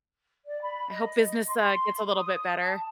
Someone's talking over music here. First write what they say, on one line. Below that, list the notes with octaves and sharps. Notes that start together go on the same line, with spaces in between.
I hope business, uh, gets a little bit better.
D5
B5
D#5
C6
D#6
A5